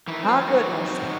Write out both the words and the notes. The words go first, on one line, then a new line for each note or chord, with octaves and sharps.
Ah, goodness.
D#3 E3 E4
C4
F3 F4
D#3
F#3 G3 F#4
D#3
C4
D#3